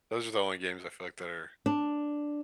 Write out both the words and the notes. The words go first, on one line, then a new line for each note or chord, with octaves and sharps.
those are the only games I feel, like, that are
D4